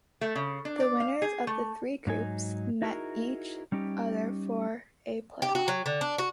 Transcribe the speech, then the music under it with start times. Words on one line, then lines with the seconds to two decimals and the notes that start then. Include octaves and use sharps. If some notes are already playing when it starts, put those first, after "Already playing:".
The winners of the three groups met each other for a play-off.
0.21 A3
0.35 C#3
0.65 D4
0.80 D5
1.00 F5
1.22 G#4
1.47 A3
2.07 G#2 F#3 D#4 G#5
2.82 D#4 E4 F#4 G#4 A#4
3.72 G3 C#4 D#4 G4
5.42 G4
5.55 F#4
5.68 F#3
5.86 D3
6.01 D4
6.18 F#4